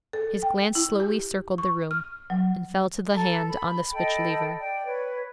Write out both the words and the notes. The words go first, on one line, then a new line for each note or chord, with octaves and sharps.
His glance slowly circled the room, and fell to the hand on the switch-lever.
A4
G5
E4
G4
C#6
F6
F#3
A4 A#5
B5
A4 D#5 G5 B5
D5 G5
B4 C#5